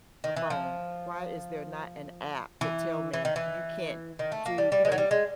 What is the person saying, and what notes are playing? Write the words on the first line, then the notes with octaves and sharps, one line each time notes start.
a phone. Why is there not an app that tell me, 'You can't do'" you know, y
D#3
E3
F3
E3
E3
D#3
E3
D#3
A3
A#3
G3
G3
G#3
F#3
G3
G#3